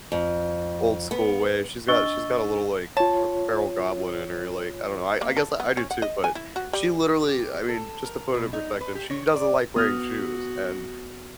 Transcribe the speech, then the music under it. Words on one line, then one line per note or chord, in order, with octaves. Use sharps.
old school way. She's got she's got a little, like, fe feral goblin in her, like, I don't know, I I guess I do too, but she literally, I mean, just, to put it in perspective, she doesn't like wearing shoes, and
F2
B3
D4 D#5 C#6 E6 A6 G7
F4 C#5 A5
A#3
A4
B3
C#4
F#5
D#5
G#5
E4
F#4
G3
G4
A4
A#4
B2
D#4
B4
G4
C#5
D5
B3 F#4 D#6 F6